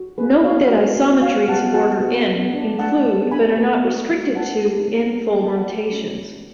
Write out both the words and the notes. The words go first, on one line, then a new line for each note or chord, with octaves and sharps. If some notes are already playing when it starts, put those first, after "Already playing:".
Note that isometries of order "n" include, but are not restricted to, "n"-fold rotations.
Already playing: F#4
B3 G#4 B4
F#4 C#5 F5
F#4
B3
F#4 F5 G#5
B3 F#5 A5
F#4 F#5 A5
B3
B3
D4
D4 F#5 A5
B3
D4 G#5 B5
B3
F#4
G#3
G#3 F#5 A5
D4
B3
B3
D4 A5
B5
F#5 A5
F#4
C#4
G#3